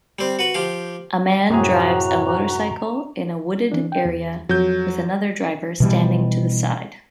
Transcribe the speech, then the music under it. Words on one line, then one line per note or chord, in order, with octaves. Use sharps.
A man drives a motorcycle in a wooded area, with another driver standing to the side.
G3 C4
F#4 B4
F3 G4 F5
F#2 A2 C3 F#4 G#4 A#5
E3 D4
G5
E2
F2 F#3 G6
B2 E3 G3